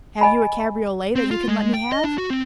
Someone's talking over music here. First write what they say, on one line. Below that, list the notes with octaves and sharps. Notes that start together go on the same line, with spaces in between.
"Have you a cabriolet that you can let me have?"
D#5 G#5 B5
C4
F4
G#3
G5
D#5
D4
F#4
C4